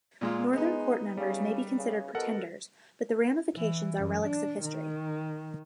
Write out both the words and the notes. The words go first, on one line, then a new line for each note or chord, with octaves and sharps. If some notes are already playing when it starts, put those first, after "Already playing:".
Northern Court members may be considered pretenders, but the ramifications are relics of history.
A#2 G#3 F4
G#3 B3 D#4
C#3 G3
C#3
B2 A4 A#4 F#5
E3
F#2
D4
D#3